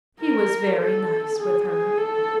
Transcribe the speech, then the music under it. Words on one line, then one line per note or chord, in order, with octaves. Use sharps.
He was very nice with her.
A#4
A4
G#4
G#4
A4